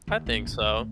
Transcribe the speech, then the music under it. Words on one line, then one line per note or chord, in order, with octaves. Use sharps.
I think so.
D#2
A#1 D4
A1 D3
C#2
A2